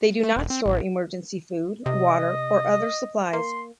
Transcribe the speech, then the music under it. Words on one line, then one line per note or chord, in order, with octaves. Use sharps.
They do not store emergency food, water or other supplies.
A3
E1
C4
A1
C3 D#5
A#3 C6